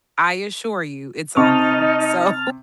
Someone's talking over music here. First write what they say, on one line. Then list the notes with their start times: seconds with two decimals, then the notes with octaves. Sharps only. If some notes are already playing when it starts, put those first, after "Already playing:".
I assure you it's on there. So,
1.37 C3 D#4 A5 C#6 F6